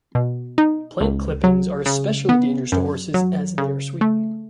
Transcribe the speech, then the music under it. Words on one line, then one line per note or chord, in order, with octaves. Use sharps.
Plant clippings are especially dangerous to horses, as they are sweet.
B2
D#4
C#2
F#3
C#3
B3
F#2
F#3
C#3
A3